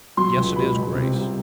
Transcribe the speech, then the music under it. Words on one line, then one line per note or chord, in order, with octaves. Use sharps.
Yes, it is, Grace.
F#3 C6
C#2
B2 B5
C#2
C3
C2